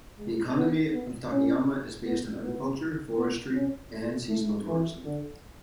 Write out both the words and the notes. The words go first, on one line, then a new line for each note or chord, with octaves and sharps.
The economy of Takayama is based on agriculture, forestry, and seasonal tourism.
G#3
B3
B3
C#4
B3
B3
B3
C#4
A3
A3
E3
D3